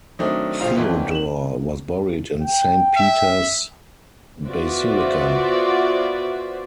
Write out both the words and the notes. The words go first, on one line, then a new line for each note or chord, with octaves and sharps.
Theodore was buried in Saint Peter's Basilica.
D#3 F#3 A3 C4 D4 D#4
D1 A#1 F3 F5 F7
G#1 F2 E3
E7 F#7
G5
E5
B3 F4 F#4 C5 D5 E5